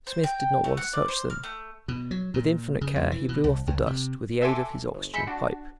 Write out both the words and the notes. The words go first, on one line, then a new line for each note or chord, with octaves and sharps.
Smith did not want to touch them; with infinite care he blew off the dust with the aid of his oxygen pipe.
C5
G5
A3
F#5
D5
C5
F6
A3
B2
F#3
A#2
C#3
F2
E3
B2
C2
C#2
C3
F#4 A4 E5 G#5 C6 D6
G1
G#3 E5 B5 G6 C#7
D4 F#4